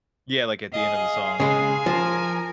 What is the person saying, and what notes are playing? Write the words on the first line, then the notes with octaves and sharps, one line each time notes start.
Yeah, like, at the end of the song?
G#4 D#5 F5
C#3 G#3 G#5
F3 A#4